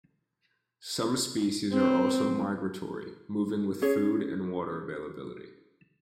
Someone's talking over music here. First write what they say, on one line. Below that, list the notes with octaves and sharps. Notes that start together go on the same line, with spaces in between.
Some species are also migratory, moving with food and water availability.
C4
C#4 G#4 C#5